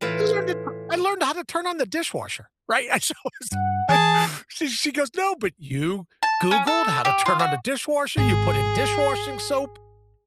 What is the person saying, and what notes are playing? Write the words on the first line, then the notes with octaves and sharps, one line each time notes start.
I learned it, I learned how to turn on the dishwasher, right? And so I was like, she she goes, "No, but you googled how to turn on the dishwasher, you put in dish-washing soap."
A2 E3 E4 F4
G2 F#5
E3 G#4 G#5 A5
A5
C#4
A4
G4
F4
F#4
G#1 G#4